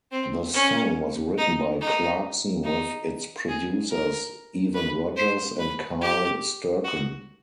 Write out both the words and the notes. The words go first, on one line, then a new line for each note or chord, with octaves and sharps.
The song was written by Clarkson with its producers Evan Rogers and Carl Sturken.
C4
C#4
D#4
D#4
D#4
G#4
A#4
B4
C5
B4
G4
F#4